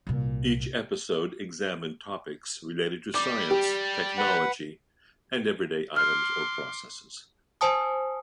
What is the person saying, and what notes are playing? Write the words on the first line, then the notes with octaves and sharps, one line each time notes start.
Each episode examined topics related to science, technology, and everyday items or processes.
C2 A#2
G3 D6
G4
B4 F#5
C6 D6 F6
C5 G#5 A5 D#6